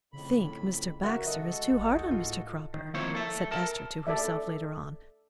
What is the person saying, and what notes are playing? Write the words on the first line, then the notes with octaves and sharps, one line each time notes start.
"I think Mr. Baxter is too hard on Mr. Cropper," said Esther to herself later on.
F2 A2 C#3 B5
F#4 A#4 E5
G#3 F#4 A4 D#5
G#1
D#2 D#4
A2 F4
D#3
F3 A#3 C4 E4 C5 C#5
A4 E5
A#4 A5
A4 D5 E5